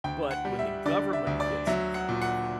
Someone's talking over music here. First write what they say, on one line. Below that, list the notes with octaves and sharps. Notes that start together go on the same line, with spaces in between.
but when the government gets involved,
D2 G5
F#5
G3
E5
D3 D5
E5
D2
D5
F#3 E5
F#5
A#2
F#5